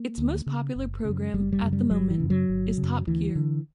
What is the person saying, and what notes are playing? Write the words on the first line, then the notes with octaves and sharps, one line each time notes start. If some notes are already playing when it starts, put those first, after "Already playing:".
Its most popular programme at the moment is "Top Gear".
Already playing: A#3
D2
C#3
F#1
F#2 C#3
F#1 G3
G3
F#2 C#3
G3
G1 F#3
E3
F#2 C#3
F#3
G1
C#3
F#2
D2 E3
D3